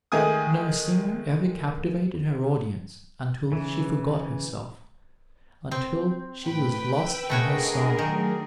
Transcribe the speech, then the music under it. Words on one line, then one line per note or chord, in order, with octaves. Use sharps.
No singer ever captivated her audience until she forgot herself, until she was lost in her song.
D#3 G#3 A3 G#5 D#6
C#3 E3
C4
A2 B4 G5
E6
A3 D4 F#4 G#4 A#4 C#5 D#5
D#3 F#3 A3